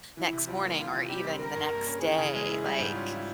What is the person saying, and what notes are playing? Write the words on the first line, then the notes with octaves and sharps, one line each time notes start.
next morning or even the next day, like
E3 E4
C3
G3 F4
A#3
E3 F4
C3
G3 G4
C4
G3 A#4
G2
A#3
C#4
E3 G#4
C#3
G#3
E4
G3
G#2
C#4 F4
E4